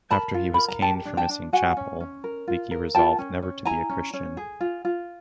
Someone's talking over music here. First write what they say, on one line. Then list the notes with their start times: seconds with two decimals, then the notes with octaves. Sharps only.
After he was caned for missing chapel, Leakey resolved never to be a Christian.
0.11 A#4 A5 B5
0.34 F4
0.54 A#4 B5
0.68 A#5
0.81 G4 G5 A5
1.05 D4
1.17 G5 A5
1.29 D4
1.53 F#4 F#5 G#5
1.77 C#4
2.01 C#4
2.24 A#4
2.48 F4
2.71 A#4
2.95 F4 G5 A5
3.19 C#4
3.42 C#4
3.65 E4 G#5 A#5
3.90 C#4
4.14 C#4
4.37 G#4
4.61 F4
4.85 F4